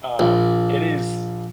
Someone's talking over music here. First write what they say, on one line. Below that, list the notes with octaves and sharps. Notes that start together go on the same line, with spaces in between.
Um, it is
A#1